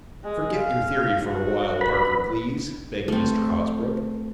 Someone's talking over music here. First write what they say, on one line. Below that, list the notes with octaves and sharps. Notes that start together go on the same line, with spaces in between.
"Forget your theory for a while, Parker, please," begged Mr. Hosbrook.
G#3
F5
F#4
B4 B5
A3 C4